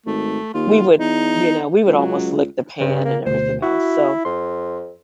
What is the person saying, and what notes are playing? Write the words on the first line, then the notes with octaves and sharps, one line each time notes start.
we would, you know we would almost lick the pan and everything else, so
G#1 A3
D#2 F4
E2 D#4
C#2 F#3
G2 C#3
A#3
D2 B2 C5
E4 F#4
F2 C6